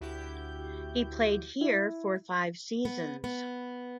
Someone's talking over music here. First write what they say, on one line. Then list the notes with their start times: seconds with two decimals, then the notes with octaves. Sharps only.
He played here for five seasons.
0.01 D2 E4 F#4 G4 G6
1.61 E4
2.85 B3
3.24 B3